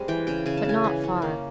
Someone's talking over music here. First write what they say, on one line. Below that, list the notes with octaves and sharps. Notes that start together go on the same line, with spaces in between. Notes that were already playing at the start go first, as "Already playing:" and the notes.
But not far.
Already playing: G3 G#3 C4
E3 G5
C#3 G5
C#3 G#5
A5
G#3 G#5
E3
C#4
A#3